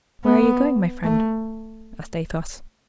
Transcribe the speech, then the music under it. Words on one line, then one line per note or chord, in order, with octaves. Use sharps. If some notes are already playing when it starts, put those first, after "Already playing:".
"Where are you going, my friend?" asked Athos.
B3
A3